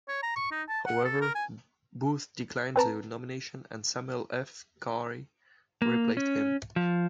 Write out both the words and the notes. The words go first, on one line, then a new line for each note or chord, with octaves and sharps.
However, Booth declined the nomination and Samuel F. Cary replaced him.
C#5
A#5
C#6
D#4
A5
F#5
A4
A#4
G#5
C4 B4 A5 A#5
A#3
C#4
F3